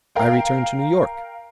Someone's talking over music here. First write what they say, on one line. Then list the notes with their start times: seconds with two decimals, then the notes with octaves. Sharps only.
I returned to New York.
0.15 A#4 F5 G5